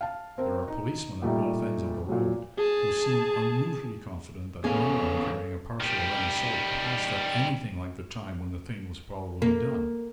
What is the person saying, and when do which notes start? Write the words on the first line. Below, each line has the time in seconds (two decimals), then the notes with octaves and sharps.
There are policemen at both ends of the road, who seem unusually confident that no one carrying a parcel of any sort passed at anything like the time when the thing was probably done.
0.01 F5 A5
0.38 C4 A#4
0.68 D#4
1.22 A#2 G3 A3 D#4
2.09 A#2 F#3
2.57 G#4 A5
4.64 E2 B3 C#4 G#4 A4 C#5 F5
5.80 D#3 G3
9.42 A#3